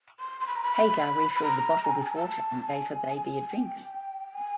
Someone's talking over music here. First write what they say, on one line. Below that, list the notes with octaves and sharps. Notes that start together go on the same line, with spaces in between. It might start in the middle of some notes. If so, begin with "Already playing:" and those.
Hagar refilled the bottle with water and gave her baby a drink.
C6
C6
B5
A#5
B5
B5
A#5
G#5
G5
A5
G#5
A#5
A5
G#5
G5
G#5